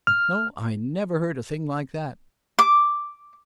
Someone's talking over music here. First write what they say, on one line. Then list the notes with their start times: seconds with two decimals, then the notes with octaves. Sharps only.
"No; I never heard a thing like that!"
0.07 F6
2.59 D6